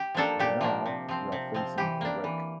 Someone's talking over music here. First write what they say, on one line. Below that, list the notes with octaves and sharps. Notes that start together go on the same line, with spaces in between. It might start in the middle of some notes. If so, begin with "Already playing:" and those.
And now we are facing a wreck.
Already playing: G4
F3 A#3 D4 A4
A#2 G4
F3 A#3 D4
C3
F3 C4
C3
F3 C4
E3 G4
A#3 D4
E3